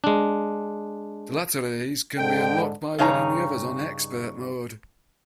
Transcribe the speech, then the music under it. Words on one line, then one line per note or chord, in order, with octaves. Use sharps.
The latter of these can be unlocked by winning the others on "Expert" mode.
G#3 D4
G#2 D3 G5
G2 C#3 D#4 C#5 G#5 A#5